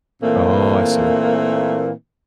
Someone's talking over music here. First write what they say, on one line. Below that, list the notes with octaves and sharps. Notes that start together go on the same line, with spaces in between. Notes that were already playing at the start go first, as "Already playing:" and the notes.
Oh, I see.
A#2 E3 A3 A#3 C4